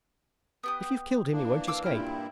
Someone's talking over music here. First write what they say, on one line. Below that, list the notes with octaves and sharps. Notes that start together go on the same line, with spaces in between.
If you've killed him he won't escape.
B3 G4 D#6
E3 A#3 D4
F5 D6 E6
G2 A#2 E4 G5 F6